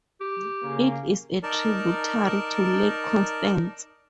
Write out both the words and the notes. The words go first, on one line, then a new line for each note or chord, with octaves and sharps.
It is a tributary to Lake Constance.
G4
C#3 A#3 C#4
D#4 A#4 D5 A5